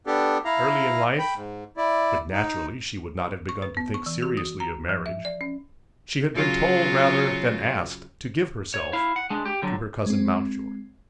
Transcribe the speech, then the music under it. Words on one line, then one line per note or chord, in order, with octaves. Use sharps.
Early in life, when naturally she would not have begun to think seriously of marriage, she had been told rather than asked to give herself to her cousin Mountjoy.
B3 D4 G4 A4
E4 F5 A#5
G5 B5
G#2
E4 D5
D#4
C#6
B4
B3
C#6
E3
F#4
D#6
A#5
F3
E5
D5
C#4
C#3 F#3 F4
C#5
E4 F5
F#5
G#3 D4
G4
D3 F#3
G#3 C4